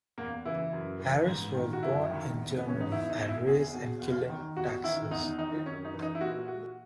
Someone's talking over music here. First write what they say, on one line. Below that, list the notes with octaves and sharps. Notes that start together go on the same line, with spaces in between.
Harris was born in Germany and raised in Killeen, Texas.
E2 A#3
C#3 E3 E4
F#2
E3
G#2
D#3
F#4
F#2 E4
D#3
E2
B3
C#3 E3 C#4
D#4
E2 E4
E4
D#4
B2
E4
E2 G#4
B2
E2
D#3
E2 F#4
D#3 E4
E2 D#4
D#3 D#4
F#2 C#4
D#4
E3
D#4
E4
A#2 F#4
F#4